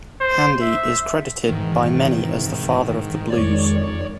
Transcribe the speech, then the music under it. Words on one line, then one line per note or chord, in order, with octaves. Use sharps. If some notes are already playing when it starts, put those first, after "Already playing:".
Handy is credited by many as the father of the Blues.
C5
E5
G#2 C3 D#3 E3
F2 D#3 G#3 C#5 D5